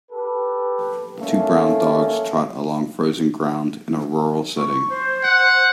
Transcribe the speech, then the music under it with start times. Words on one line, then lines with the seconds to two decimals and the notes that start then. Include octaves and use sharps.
Two brown dogs trot along frozen ground in a rural setting.
0.11 G4 A4 B4
1.19 A3 A#3 C#4 A4
4.57 C#6
4.90 C5
5.24 F#5